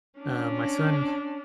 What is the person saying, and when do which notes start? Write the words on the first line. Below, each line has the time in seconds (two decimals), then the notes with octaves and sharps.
uh, my son
0.20 C#4 D4